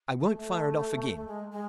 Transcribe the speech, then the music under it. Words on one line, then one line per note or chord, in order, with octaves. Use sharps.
"I won't fire it off again."
A3
A3
A3
G#3
G#3